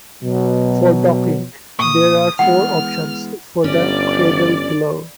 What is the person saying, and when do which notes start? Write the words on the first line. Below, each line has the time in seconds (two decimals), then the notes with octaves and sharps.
For docking, there are four options for the "cradle glow".
0.23 B2 F#3
1.79 A#2 C#6 D#6
2.39 E3 G#3 B3 F#5 F6
3.64 G1 C#4 D5